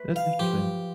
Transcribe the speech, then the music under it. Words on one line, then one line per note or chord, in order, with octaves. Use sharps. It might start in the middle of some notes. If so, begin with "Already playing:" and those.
That's interesting.
Already playing: A3 B4
F5
F3 G4